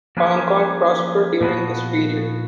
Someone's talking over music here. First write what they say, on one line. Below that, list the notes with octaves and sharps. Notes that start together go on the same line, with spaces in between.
Hong Kong prospered during this period.
F3 A#3 C#4 G#4 B4
A#2 F3 B3 F#4